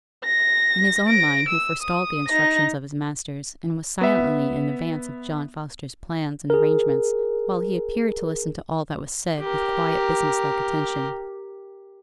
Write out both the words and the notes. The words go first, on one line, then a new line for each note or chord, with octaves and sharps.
In his own mind he forestalled the instructions of his masters, and was silently in advance of John Foster's plans and arrangements, while he appeared to listen to all that was said with quiet business-like attention.
A#6
A#6 D7
E6
D#6
D#4 A#6
B3 E5
G#4 A#4
G4 A#4